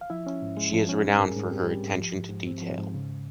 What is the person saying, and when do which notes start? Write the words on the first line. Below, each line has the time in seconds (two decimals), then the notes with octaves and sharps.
She is renowned for her attention to detail.
0.01 F5
0.10 F3 E4 E5
0.27 C#4
0.42 G#2
0.57 G#3
0.73 F3
0.89 C#4
1.04 G3
1.19 G#2 A#4
1.28 G#4
1.36 G#2
1.51 C4 G4
1.67 G3
1.84 G#2
1.99 F3
2.15 G#2
2.31 G#2
2.47 C4
2.61 F3
2.78 G#2
2.94 C#3